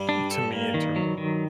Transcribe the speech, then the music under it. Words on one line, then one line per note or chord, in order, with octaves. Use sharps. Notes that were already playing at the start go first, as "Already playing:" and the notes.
to me in terms of
Already playing: G2 G3
D4
A4
A#3
D#3
F#3
D#3